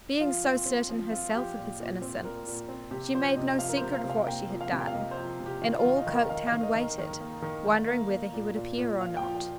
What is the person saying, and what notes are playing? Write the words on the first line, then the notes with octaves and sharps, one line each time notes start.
Being so certain herself of his innocence, she made no secret of what she had done, and all Coketown waited, wondering whether he would appear or not.
F3 F4
C4
C4
F3
C4 F4
F3 G4
A#2
A#2
C4
A#2 A#4
A#2
C4
C3 G4
F3 C5
C3 D#5
F3 F5
A#4
C3 C5
F5
C3
F5
A#3 G5
F3
F5
C3
G5
F5
A#3 D#5
C5
F3
C3
G4
D#3 F4
F4
D#3
D#4
D#3
A#4
D#3 F5
D#3 F5
D#5
D#3
A#4
D#3
A#3
D#3
D#3
A#3
A#3
A#2
A#2
A#2
F3 F5
G5
F3
G5